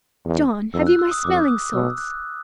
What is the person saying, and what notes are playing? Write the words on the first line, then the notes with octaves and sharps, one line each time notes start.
John, have you my smelling salts?
E2
F2 E6
F#6
E6
D#6
F2 D6
D#6
B2 E6
F#6